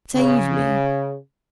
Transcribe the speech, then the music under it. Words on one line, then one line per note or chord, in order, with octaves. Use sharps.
"Save me!"
C#3